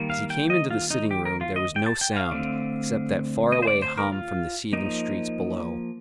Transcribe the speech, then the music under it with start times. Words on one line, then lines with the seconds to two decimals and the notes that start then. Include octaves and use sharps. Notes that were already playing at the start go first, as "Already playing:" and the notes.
As he came into the sitting-room, there was no sound, except that far-away hum from the seething streets below.
Already playing: D#3 G3 A#3
0.10 F5
0.30 G5
0.50 D#5
0.71 F4
0.91 D#4
1.11 G4
1.25 A#4
1.41 F4
1.56 D#5
1.76 G5
1.86 A5
2.01 G5
2.16 F5
2.31 D3 A3 C4
3.52 D#5
3.62 C5
3.67 D5
3.82 C5
3.98 A#4
4.12 F4
4.73 F3 A#3 D#4